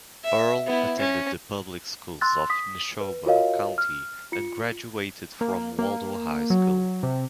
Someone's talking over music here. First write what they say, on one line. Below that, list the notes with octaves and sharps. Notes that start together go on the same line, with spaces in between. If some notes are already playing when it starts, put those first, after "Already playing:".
Earl attended the public schools of Neshoba County and graduated from Waldo High School.
E5
B3 E4
C#4
C6 E6 F#6 A6
D#6 B6
B4
F4 F#4 A#4 C#5 D#5 F5
F6
F4 C#7
A#3
A#3
F#3
C3